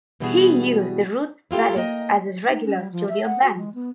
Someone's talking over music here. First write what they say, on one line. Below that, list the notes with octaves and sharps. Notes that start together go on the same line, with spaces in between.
He used the Roots Radics as his regular studio band.
B2 E3 G3 B3 F#4 G#4
E4 F4 G4 A4
A#3 D#5 G5 A#5
D#4
C#4
G3
F3
E5
F#5
F#4
G#3
B3